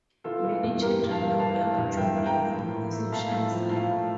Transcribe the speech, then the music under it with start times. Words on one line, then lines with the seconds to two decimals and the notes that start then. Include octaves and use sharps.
Many children however join in for the social side.
0.24 E3 F4 A4
0.44 E3
0.63 G2
0.82 A#3 G4 A#4
1.02 G2
1.11 F5 A5
1.20 G2
1.39 E3 F5 A5
1.58 A#3
1.78 G2
1.97 G2 E5 G5
2.17 E3
2.26 G5 A#5
2.35 A#3
2.54 A2
2.74 A2
2.93 A3
3.12 A2 F5 A5
3.31 A3
3.51 F3
3.70 A2 F5 A5
3.90 A2